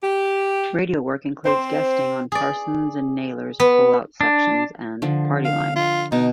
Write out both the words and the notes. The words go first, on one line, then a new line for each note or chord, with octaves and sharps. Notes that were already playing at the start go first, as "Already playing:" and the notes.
Radio work includes guesting on "Parsons and Naylor's Pull-Out Sections" and "The Party Line".
G4
C4 C5 C6
G#4 D5
B3
D4
D3 F3
F5
F4
B2 D#4